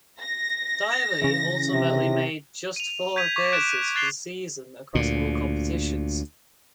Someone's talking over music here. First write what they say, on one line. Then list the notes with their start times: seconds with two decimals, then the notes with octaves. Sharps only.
Diaby ultimately made just four appearances for the season across all competitions.
0.21 A#6
1.22 C#3 E3
1.71 C3
2.76 D#7 F7
3.16 G6 G#6 B6 D#7 F7
3.36 C#6 D6 B6
3.53 F#6 D7 E7
3.95 F#6 A6 C7 F7 G7
4.95 D2 A#2